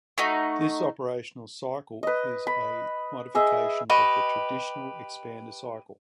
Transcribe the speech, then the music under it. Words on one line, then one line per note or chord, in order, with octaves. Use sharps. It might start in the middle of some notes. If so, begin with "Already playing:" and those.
This operational cycle is a modification of the traditional expander cycle.
A3 D#4 F#4
B4 D#5
B5
G#4 D#5 E5
G4 B4 D#5 C#6